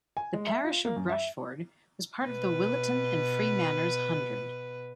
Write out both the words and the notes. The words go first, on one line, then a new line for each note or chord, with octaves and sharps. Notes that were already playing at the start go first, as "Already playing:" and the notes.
The parish of Brushford was part of the Williton and Freemanners Hundred.
G#5
G#3
E5
F4
A#3
F#2
E5
B2 B4